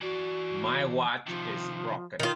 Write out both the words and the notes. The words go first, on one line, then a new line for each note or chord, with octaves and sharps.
My watch is broken.
E3 F#4 D5
C3 D#3 F3
D#3 F4